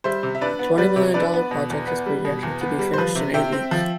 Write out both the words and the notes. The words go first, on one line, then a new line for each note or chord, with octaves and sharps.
The twenty million dollar project is projected to be finished in eight weeks.
G3 C5 E5
C3
E5
D4 B4 D5
B3
G3 B4 D5
C3
D4 B4 D5
B3
B2
E2
B3
G3
B2
E2
B3
G3
C5
F3 B4
C3
C3 E5 G5
C4
F3